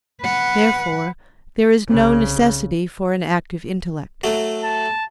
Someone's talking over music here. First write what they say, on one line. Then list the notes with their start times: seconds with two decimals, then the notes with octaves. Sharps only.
Therefore there is no necessity for an active intellect.
0.21 B4 F#5
1.88 C2 C#3
4.24 F#3 A3
4.64 A5